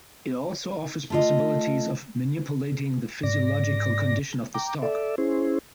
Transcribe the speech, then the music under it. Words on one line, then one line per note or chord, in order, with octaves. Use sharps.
It also offers possibilities of manipulating the physiological condition of the stock.
A3 F4 D#5
G#2 D5 A#6
G5 A#5 D6
A4 D5 E5
C#4 E4 G#4 C5